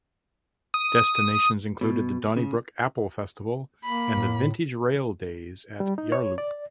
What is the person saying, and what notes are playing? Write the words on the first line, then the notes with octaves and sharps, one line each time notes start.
Destinations included the Donnybrook Apple Festival and the Vintage Rail days at Yarloop.
D#6
B2
C#3
A#3 B5
A2
G3
D#4
C#5
D5